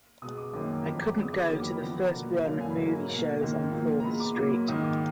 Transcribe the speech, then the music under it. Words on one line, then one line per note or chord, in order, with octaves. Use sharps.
I couldn't go to the first-run movie shows on Fourth Street.
B2 G#3 B3 D#6
D6
F#2 D#3 A#3 D6
A#5
F2 F3 B3 B5
D6
D3 G#3 B3 D#6
D6
B5
F2 D#3 F#3 A#3 D6
D6
B5
D3 F3 B3 A#5
B2 A#3
F#2 D3 F#3 A#3 F5
G#5
B5
G#2 F#3 A#3 A#5
B2 A#3
G#2 D#3 A#3
A#2 F3 A#3
A#5
A#2 G#3 B3 B5
D6
A#2 F#3 A#3 D6
B5
G#2 D#3 A#3 D#6
D6